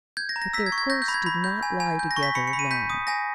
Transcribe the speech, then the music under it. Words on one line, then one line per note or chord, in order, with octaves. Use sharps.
But their course did not lie together long.
G6 G#6
A#6
A#5
A#6
E6 B6
G#6
C#6
G#6
G6 A#6
G6
B5
G#6
B5
G6
G#5
G#5
G6
A#6
C#6
B6
B5 C#7
C#7
B5
D#7
G6 B6
D#6
G#5 A#6